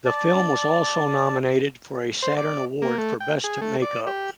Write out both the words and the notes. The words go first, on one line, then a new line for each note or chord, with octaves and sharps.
The film was also nominated for a Saturn Award for Best Make-up.
D5 A5
C5
D5
A#3
A3
G5
G#4
A3
D5
G4